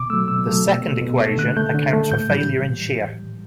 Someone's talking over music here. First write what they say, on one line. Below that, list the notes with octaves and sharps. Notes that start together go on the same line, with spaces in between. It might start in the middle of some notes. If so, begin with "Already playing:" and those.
The second equation accounts for failure in shear.
Already playing: B2 D6
F#3 A3 E6
B2 E6
F#3 A3
B2
A3
B2
A3
D3 F#6
A3 G6
D3
A3
A2 G6
E3 G3 G6